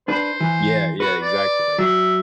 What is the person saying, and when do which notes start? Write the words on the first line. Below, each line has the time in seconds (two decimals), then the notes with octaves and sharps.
Yeah, yeah, exactly, like
0.08 D4 B4 C5
0.40 E3
1.00 F#4 B4
1.22 D5
1.78 F#3 E5